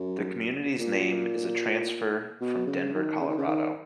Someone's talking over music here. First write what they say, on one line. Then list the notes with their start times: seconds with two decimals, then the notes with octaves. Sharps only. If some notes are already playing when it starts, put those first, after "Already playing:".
The community's name is a transfer from Denver, Colorado.
Already playing: F#2
0.79 A#2
2.41 B2
2.67 C#3
2.94 D#3
3.21 C#3
3.29 D#3
3.38 C#3
3.47 D#3